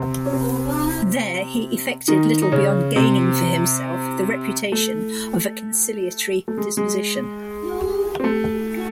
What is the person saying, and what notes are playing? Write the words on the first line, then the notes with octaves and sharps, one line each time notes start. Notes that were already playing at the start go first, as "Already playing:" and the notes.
There he effected little beyond gaining for himself the reputation of a conciliatory disposition.
Already playing: C3 C4
C#4
C3 C4
D#3 D#4
D#4
C#3 C#4
C3 C4
A3
A3
G#3
G#3
C4
A3